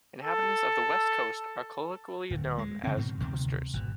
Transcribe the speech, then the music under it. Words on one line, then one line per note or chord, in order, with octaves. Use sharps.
Inhabitants of the West Coast are colloquially known as "Coasters".
A4
D1
G#3
C#3 C4
G#2 B2 D#3
D2 C3 D#3
G#1 B2